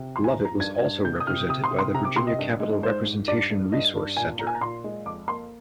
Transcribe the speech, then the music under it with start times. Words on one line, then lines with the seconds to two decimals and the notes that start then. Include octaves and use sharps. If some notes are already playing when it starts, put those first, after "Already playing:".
Lovitt was also represented by the Virginia Capital Representation Resource Center.
Already playing: C3
0.16 F2 C6
0.24 G#5
0.30 A#5
0.38 F2
0.45 A#5
0.60 G2 G#6
0.83 G2
1.05 C3 G6
1.20 D#6
1.27 C3 F6
1.49 C3 D#6
1.64 C6
1.71 C3
1.79 C6
1.95 C3 A#5
2.05 D6
2.16 C3 C6
2.27 D#5
2.39 G2
2.60 G#3
2.82 G#2 C5
3.05 G#2
3.28 G2 D5
3.50 G2
3.72 G2 D#5
3.95 G2
4.17 A#2 G#5
4.38 A#2 A#5
4.47 G#5
4.55 A#5
4.61 A#2 C6
4.84 G#3
5.06 F2 D6
5.28 A#3 C6